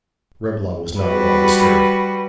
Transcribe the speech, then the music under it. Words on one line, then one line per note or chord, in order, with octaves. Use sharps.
Reblong was not at all disturbed.
G3 F#4 B4